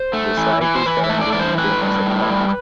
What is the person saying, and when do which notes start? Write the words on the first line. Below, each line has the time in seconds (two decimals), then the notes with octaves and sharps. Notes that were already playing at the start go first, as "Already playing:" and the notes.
The site is currently maintained as a park.
Already playing: C5
0.13 A3
0.37 E3
0.61 E3
0.75 C5
0.86 E3 B4
1.04 E5
1.10 A3
1.21 D5
1.32 E3 D5
1.39 C5
1.58 A2 B4
1.82 G3
2.06 A2
2.30 G3